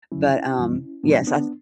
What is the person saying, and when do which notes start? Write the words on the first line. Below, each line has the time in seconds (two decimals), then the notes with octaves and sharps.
but, um, yes, I s
0.12 F#2 D3 F#3 C#4 E4
0.59 F#2 E3 G3
1.04 A2 E3 G3 B3 D4
1.27 B3 D4